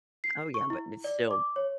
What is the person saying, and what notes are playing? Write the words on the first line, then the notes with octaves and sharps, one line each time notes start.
Oh, yeah, but it's still
C7
C#6
E4
D5
D6
C#5